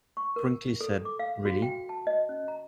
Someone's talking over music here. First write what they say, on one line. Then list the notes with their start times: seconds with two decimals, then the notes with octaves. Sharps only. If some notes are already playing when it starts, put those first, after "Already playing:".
Brinkley said, Really?
0.17 C#6
0.36 A#4
0.81 A4
1.05 D6
1.19 F5
1.45 F#4
1.62 G5
1.89 A5
2.07 D#5
2.29 C#4
2.48 A#5